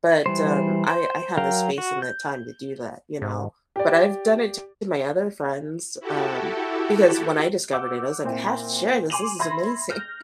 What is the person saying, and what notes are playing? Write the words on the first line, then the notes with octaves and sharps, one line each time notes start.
but, um, I I have the space and the time to do that, you know, but I've done it to my other friends, um, because when I discovered it, I was like, "I have to share this, this is amazing,
E3 G3 C5
C5
F#3 A#4 F5 G5
F#4
G6
G#2
G4 D5
E4 F#4 G4 A4
F#5 D6 E6 G6
A#2 C4 E4
G#5 C6 D6 D#7 F7 F#7
E5 B5 C6 G#6 A#6
F6 G6 A#6